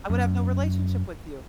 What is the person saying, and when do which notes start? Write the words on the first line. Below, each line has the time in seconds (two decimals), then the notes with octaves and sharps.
I would have no relationship with you,
0.10 F#2